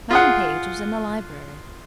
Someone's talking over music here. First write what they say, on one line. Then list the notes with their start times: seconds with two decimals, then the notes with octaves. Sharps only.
Madam Page was in the library.
0.11 F4 G#4 F#5